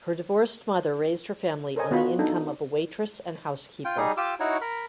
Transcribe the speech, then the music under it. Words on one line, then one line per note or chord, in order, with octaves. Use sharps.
Her divorced mother raised her family on the income of a waitress and housekeeper.
A4 A#4 C5 C#5 D#5 G#5
B3 F4 F#4 B5
D4 D#4 A4
F4 G5
G3 D#4 G#4
F4 G4 D6 E6
D#4 E4 F#4 C#5
A#4 B5